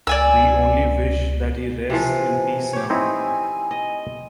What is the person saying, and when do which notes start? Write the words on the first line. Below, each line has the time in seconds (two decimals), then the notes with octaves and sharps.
We only wish that he rests in peace now.
0.07 C#2 D5 G#5 E6
1.90 C3 E3 F3 G#5
2.73 G4 C#5
2.90 C4 D#4 E4 G#5
3.71 D#5